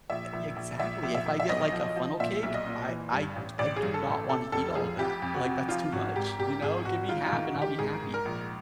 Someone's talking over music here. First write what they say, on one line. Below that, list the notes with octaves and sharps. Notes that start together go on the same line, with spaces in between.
eh ye exactly. If I get, like, a funnel cake, I I t I do not wanna eat all of that, like, that's too much, you know? Give me half, and I'll be happy.
A#1 E5
A#1
A#1
A#1 E5
A#1
E5
A#1
E5
B1 D#5
F3
F3
A#2 E5
B1
D#5
A#2
E3
G2
A1
A1 D5
G#4
G2
A4
A1
A4
C3 A4
F1 A4
F3 G#4
F2 G4
F2
F#4
C3
F3 F4
G#1 F#4
G#2 G4
G#1 G4
G#1 G#4
G#1 F#4
G#2 F4
F4
D#3
F#4
D#3
G4
G#2 G#4
G#2
A#4
A#1